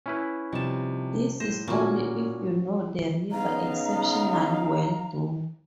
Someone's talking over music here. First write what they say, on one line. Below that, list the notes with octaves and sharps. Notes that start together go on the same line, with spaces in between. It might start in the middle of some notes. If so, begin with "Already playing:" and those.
This is only if you know the river exceptionally well though.
C#4 E4 B4
C3 F3 G3 D#4 A5
A2 C5 A#6
A#2 C#4 F#4
C#3 B3 D#4 F5 A#5